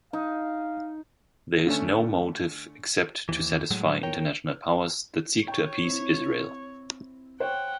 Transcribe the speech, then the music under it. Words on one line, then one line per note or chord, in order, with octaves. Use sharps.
There is no motive except to satisfy international powers that seek to appease Israel.
D#4 F5
D3 A3 C#4
D#2 E3
A2 F#3 G#3
A#4 C#5 G5
C#5 G5 C#6
C4 E4
C5 C#5 F#5 G5